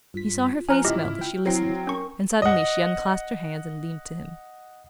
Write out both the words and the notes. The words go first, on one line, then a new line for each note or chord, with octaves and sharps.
He saw her face melt as she listened, and suddenly she unclasped her hands and leaned to him.
G2 F4 B6
F3 C5 G#5 A#5 F6 F#6
G#2 C#3 E4 F4 G4 D#5
G5
F#3 C4 E4 C7
C#4 A#4 C#6
D#5 F#5